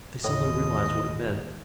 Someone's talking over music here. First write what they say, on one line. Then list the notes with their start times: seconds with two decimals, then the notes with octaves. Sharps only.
They suddenly realized what it meant.
0.24 A1 D#2 A2 D#5